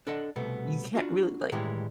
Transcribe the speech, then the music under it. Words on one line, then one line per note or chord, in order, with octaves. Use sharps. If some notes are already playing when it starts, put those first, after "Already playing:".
you can't really, like
D4 A4 D#5 F#5
C2 B2 A3 B3
D4 F4 F#4
A2 D#3 E3 G3 G#3 G4